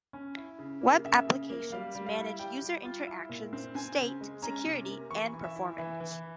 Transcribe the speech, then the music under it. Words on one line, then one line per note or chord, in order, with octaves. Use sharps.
Web applications manage user interactions, state, security, and performance.
C#4
E4
C#3
A#3
C#3 E5
C#3
A#3
G3 F5
G3
F5
E4
G3 G5
G3
F4
E4
A#2
C4
C4 G#5
C#3
G#3
C#4 A#5
C3
A#3
E3 C#6
E3
E5
E4
E3 E5
E3